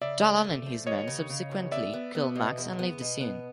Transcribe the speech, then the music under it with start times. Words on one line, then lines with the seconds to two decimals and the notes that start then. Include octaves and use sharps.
Jalal and his men subsequently kill Max and leave the scene.
0.01 C#3 D5 E5
0.23 A3
0.44 A3
0.66 F3
0.87 D#2 C#5 D#5
1.08 C#3
1.29 C#3
1.51 D#2
1.72 B3 D5 E5
1.93 B3
2.15 B3
2.35 B2
2.58 E2
2.79 B3
3.01 B2
3.21 B3